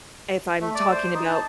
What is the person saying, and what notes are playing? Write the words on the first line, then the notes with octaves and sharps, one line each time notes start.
if I'm talking about
A3
D5
C5
D#4
A5